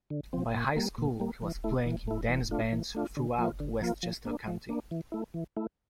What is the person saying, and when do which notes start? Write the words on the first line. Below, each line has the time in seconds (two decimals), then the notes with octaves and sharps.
By high school, he was playing in dance bands throughout Westchester County.
0.10 D3
0.33 F3 C4
0.54 A#2
0.76 G3 A#3
0.98 A#2
1.20 G3 A#3
1.42 E3
1.64 A3 E4
1.86 E3
2.07 A3 E4
2.29 E3
2.51 A3 D4 F4
2.73 E3
2.95 A3 D4 F4
3.17 D3
3.38 F3 A#3 F4
3.60 D3
3.82 F3 A#3 F4
4.03 F3
4.25 A#3 D4
4.47 F3
4.69 A#3 D4
4.91 E3
5.12 A3 E4
5.34 E3
5.57 A3 E4